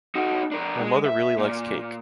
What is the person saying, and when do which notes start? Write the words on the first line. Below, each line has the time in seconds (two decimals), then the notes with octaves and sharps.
My mother really likes cake.
0.15 D#4 F#4
0.52 D4 A#4
0.79 G#3
1.06 E5
1.38 A#2